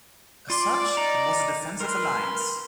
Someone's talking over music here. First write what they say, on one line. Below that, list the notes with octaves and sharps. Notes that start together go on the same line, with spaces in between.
As such, it was a defensive alliance.
F4 D5 C6
D#4 A#5
A#4 B4 C6